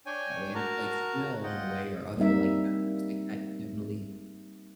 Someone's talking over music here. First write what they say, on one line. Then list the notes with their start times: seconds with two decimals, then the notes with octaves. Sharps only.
that way, and I feel like smell in a way or other, like, attributes like that can definitely
0.06 D4 C#5 G5 G#5
0.55 F#4 A#4 A5 A#5
1.43 F4 D#5 F#5 G5
2.17 G3 A#3 C4 D#4 E5